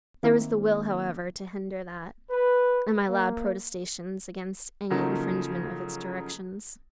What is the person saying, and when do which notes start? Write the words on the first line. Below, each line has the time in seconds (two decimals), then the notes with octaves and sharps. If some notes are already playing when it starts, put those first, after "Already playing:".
There was the will, however, to hinder that, and my loud protestations against any infringement of its directions.
0.23 D#3 A#3 C4 E4
2.30 B4
3.08 A#3
4.90 C#3 F3 F#3 A3 A#3 D#4